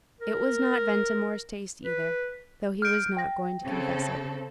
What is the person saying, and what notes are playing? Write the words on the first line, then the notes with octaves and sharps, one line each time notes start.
It was not Ventimore's taste either, though he was not going to confess it.
A#4
B4
F6 G6 D7
G5 A#6
C#3 C4 A4